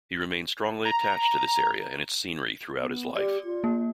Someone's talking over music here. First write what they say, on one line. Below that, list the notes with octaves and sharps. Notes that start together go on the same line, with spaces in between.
He remained strongly attached to this area and its scenery throughout his life.
A#5
B3
G4 D5
F4
A#3